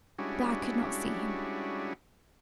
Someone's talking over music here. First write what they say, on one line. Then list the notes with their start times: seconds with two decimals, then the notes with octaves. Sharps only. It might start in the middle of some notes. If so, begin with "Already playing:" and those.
But I could not see him.
0.18 G3 G#3 C#4 D4 E4 F#4